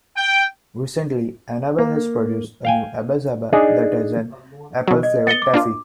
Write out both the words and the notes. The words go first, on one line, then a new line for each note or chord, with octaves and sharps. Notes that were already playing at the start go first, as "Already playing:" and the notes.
Recently Annabelle has produced a new Abba-Zaba that has an apple flavored taffy.
G5
A#3
F5 G5 G#5
D4 D#4 G#4
B2 F#3
D#5
B3 D#5 A6 C#7 G7
D6
A#3 D4 F4